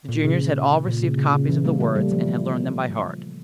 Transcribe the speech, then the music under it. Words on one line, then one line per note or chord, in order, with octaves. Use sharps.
The juniors had all received copies of the words and had learned them by heart.
A#2
C#3
A#2
C#3
C#3
C#3
E3
G3 A#3
A3
G3
F3